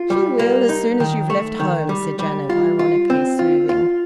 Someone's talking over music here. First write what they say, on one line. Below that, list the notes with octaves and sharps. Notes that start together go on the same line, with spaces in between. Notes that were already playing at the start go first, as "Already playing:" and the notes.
"She will, as soon as you've left home," said Janet, ironically soothing.
Already playing: F4
G3
A#3
D#4
D#3
A3
D#3
G3
G3
F4
F4
C4
F4
F4